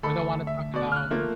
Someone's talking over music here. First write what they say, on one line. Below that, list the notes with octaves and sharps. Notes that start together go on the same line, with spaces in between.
or they'll wanna talk about
D2 A4 B5
E5
B2 D5
F6 F#6
F3 A3 A#3